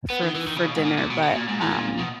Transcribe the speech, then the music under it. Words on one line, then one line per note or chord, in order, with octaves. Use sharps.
for for dinner, but, um,
B3
D#3
E3
D#3
C#3
B2
G#2
A#2
A#2
B2
B2
A#2
G#2
A#2
B2